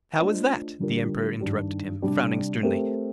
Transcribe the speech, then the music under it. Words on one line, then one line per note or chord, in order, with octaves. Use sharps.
"How is that?" the Emperor interrupted him, frowning sternly.
A3 D4 F4 C5 D#5
D3 G3 D4 F4 A#4
G2 D#3 G3 D4 G4
C3 G3 D4 G4
A3 C4 G4 A#4